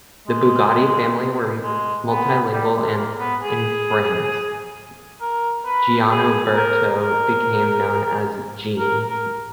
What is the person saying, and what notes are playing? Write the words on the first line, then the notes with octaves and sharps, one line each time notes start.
The Bugatti family were multilingual and in France, Gianoberto became known as Jean.
G#3
G#3
B3
G3
G#3
A#3
B3
G#4
A#4
B4
G#4
A#4
A#4
A#4
A#4